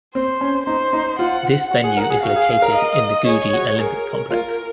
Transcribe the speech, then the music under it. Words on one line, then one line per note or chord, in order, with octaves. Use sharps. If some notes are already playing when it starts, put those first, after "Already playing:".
This venue is located in the Goudi Olympic Complex.
C4 C5
C#4
D#4 C5
D#4
F4 F#5
F#4 F#5
G#4
A#4
G#4
F#4 F5
G#4
G#4
A#4
D#5
G#4 C#5
F#4
G#4 A#4
F4 A#4